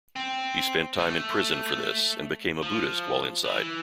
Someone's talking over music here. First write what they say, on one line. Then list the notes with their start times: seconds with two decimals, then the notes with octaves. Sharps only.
He spent time in prison for this and became a Buddhist while inside.
0.16 C4
0.99 A3
2.62 F3
3.45 E3